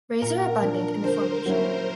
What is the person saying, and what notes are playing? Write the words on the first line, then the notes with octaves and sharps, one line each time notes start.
Rays are abundant in the formation.
A#2 A#4
F3 A#3 D4
D3 C5
F#3 A#3 C#4 E4